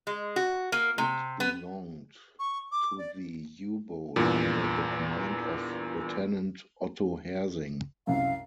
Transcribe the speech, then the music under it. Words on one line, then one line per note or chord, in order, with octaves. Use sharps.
It belonged to the U-boat under the command of Lieutenant Otto Hersing.
G#3
F#4
A#3
C3
B3
C#6
D6
D5
E2 G2 A#2
C2 F#2 F5